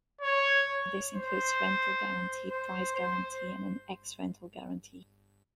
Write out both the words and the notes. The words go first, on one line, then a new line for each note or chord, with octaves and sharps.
This includes Rental Guarantee, Price Guarantee and an Ex-Rental Guarantee.
C#5
C5
C5
C5